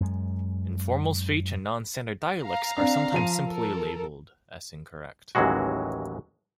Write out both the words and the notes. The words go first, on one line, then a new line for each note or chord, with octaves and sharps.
Informal speech and non-standard dialects are sometimes simply labelled as incorrect.
F#2 G#3
F5 A#5
C4 D4
F3 D#7
A4 A#4
A1 D#2 E3 F#3 G#3 F#4